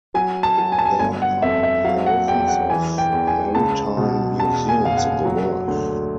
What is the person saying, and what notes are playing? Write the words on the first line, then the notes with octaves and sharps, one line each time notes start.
There are thousands of maritime museums in the world.
F#3 G#5
A5
F#3
G#5
A5
G#5
G1 G#5
F#5
F2 E5
E5
F#3 F5
F#5
E2 G5
F#5
E3 G#5
G5
E2
G#5
C#2 A5
B2
E2 A5
G#5
F#1 F5
F#5
F#3
D2